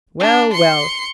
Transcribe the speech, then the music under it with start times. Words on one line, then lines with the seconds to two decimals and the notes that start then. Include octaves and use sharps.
Well, well!
0.20 D4
0.53 C6 C#7